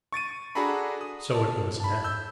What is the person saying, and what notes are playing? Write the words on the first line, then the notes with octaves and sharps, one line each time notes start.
So it was now.
C#6 A6 D7 D#7
D4 F#4 G#4 A4 A#5 B5
D#6
A5
A5 B5
E6 G6